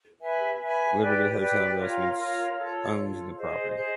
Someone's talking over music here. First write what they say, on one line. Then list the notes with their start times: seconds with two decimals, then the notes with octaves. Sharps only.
Liberty Hotel Investments owns the property.
0.20 B4 E5 G#5 B5
0.60 B4 E5 G#5 B5
0.99 G4 B4 D5 G5
1.38 G4 B4 D5 G5
1.78 F4 A#4 C#5 F5
2.17 F4 A#4 C#5 F5
2.57 F4 A4 C#5
2.96 F4 A4 C#5
3.35 G#4 C5 D#5
3.75 G#4 C5 D#5